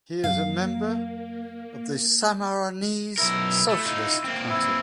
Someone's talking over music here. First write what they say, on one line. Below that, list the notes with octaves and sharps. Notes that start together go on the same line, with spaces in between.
He is a member of the Sammarinese Socialist Party.
F#2 E3 F#3 A#3 F5
B1 E4 A#4
A3
D#4 F4
A#3 C4
E4